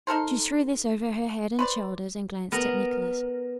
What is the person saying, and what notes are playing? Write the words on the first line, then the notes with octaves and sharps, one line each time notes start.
She threw this over her head and shoulders and glanced at Nicholas.
D#4 A4 A#4 C5
B4 C5 D5
B3 A#4